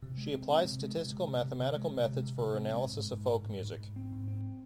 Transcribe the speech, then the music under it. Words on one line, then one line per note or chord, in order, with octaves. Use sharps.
She applied statistical-mathematical methods for analysis of folk music.
C3
G#3
C4
C4
C3
G#3
C3
C3
C3
C3
C3
G#3
C3
C3
C3
C3
C4
G#3
G#2
G#2
G#2
G#2
G#2
G#2
G#2
C4
G#2
C4